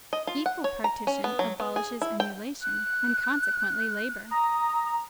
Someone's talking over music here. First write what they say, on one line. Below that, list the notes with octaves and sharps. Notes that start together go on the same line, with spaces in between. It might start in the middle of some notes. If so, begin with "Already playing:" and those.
Equal partition abolishes emulation; and consequently labor.
D#5
F4
F#5
C#5
A#5
C#4
B3
F#3
B3
G#4
E4
G5
F#6
A#5 D#6